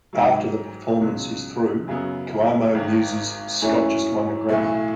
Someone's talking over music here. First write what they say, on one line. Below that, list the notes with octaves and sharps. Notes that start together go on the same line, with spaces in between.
After the performance is through, Cuomo muses Scott just won a Grammy!
G#2 D#3 F#3
C#2 B2 F#3
F#2 C#3 F#3 B3
G#1 G#2 D#3
F#2 E3 A3 C#4
B1 A2 E3 A3